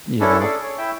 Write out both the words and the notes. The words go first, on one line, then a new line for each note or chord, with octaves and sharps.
you know?
C#4 D4 E4 A4
G#4 A4 D5
C#5
E4 E5 G5